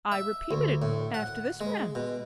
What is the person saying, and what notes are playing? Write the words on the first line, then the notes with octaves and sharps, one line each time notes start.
'I repeated it, after this man.'
E5
D2
A2
F#5
G#3
B2